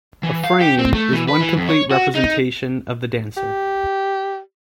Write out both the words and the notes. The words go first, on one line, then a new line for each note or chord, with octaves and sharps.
A "frame" is one complete representation of the dancer.
E3
F5
G4
C4
A3
E3
B4
E3
F2
C#5
F#4
D#4
G4